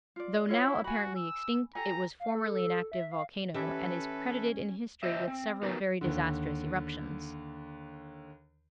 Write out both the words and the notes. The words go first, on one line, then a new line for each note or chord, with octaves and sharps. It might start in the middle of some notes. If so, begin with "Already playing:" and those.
Though now apparently extinct, it was formerly an active volcano, and is credited in history with several very disastrous eruptions.
F4 D5
E4 F4 C#5 F#5
F#4 G#5 B5
E6
G4 A4 G#5 A#5
F5
A4
A4
E5
F5
E3 C#4 G4 A4 B4 E5
C5 D#5 E5
C4
B3 D#4 F#4 G4 A#4 B4
D#2 D3